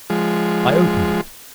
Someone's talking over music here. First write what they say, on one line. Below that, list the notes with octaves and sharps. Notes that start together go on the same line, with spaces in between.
I opened it.
F3 G#3